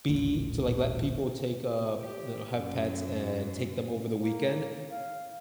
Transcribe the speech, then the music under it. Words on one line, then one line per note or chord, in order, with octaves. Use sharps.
be to, like, let people take, um you know, have pets, and take them over the weekend,
D#1 A1 A#2 D#3
G4
F#2
A#3
F5